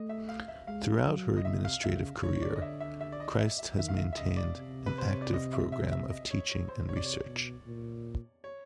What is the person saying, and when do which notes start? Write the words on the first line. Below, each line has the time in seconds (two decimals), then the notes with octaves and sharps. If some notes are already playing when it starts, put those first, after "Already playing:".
Throughout her administrative career, Christ has maintained an active program of teaching and research.
Already playing: A3 D#5
0.09 E5
0.29 F5
0.48 E5
0.67 G#3 F5
1.07 F#3
1.36 D#5
1.45 C3 E5
1.65 F5
1.84 C#3 E5
2.23 D3 C#5
2.36 C#5
2.42 D5
2.56 D#5
2.62 E5
2.80 E5
3.01 E5
3.12 D5
3.20 D#5
3.33 D#5
3.40 E5
3.59 E5
3.78 D#3 E5
3.88 F5
3.97 E5
4.13 E5
4.17 C#3 D#5
4.37 D5
4.56 C3
4.86 B4
4.98 C5
5.09 C#5
5.22 D5
5.33 D#5
5.53 E5
5.72 E5
5.92 E5
6.11 D#5
6.31 C#5
6.49 C#5
6.69 C5
6.89 C3 C#5
6.96 D5
7.06 C#5
7.28 B2
7.66 A#2
8.44 C#5